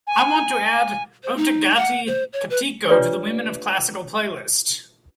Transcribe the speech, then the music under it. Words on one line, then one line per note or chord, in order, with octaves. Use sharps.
I want to add Ottagathai Kattiko to the women of classical playlist.
G#5
C5
D#4
F#5
C5
C#5
B4
D4 F4 G4 B4 C#5 D5